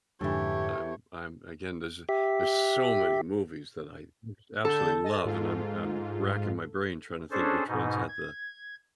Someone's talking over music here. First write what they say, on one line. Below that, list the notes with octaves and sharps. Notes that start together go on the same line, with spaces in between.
I'm I'm again, there's a there's so many movies that I just absolutely love, and I'm I'm racking my brain trying to think which ones had the
F2 G#2 D3 E3 G4 A4 C#5
G4 E5
D3 A4 A5 G6
D#5 G#5 A6
G#2 F4
C#4 D4 G#4 A4 C5
G#2 B2 D#4
G#6